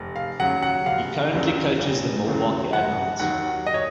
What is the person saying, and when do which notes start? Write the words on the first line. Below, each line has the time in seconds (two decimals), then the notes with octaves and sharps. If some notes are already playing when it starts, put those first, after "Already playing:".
He currently coaches the Milwaukee Admirals.
Already playing: F1
0.16 F5
0.40 D#2 C#3 F#3 F#5
0.63 F#5
0.86 F1 F5
1.33 D#2 C#3 F#3
1.80 F1
2.26 D#2 C#3 F#3
2.73 F1 F#5
3.20 D#2 D#3 F#3 F#5
3.67 D#5
3.74 C#5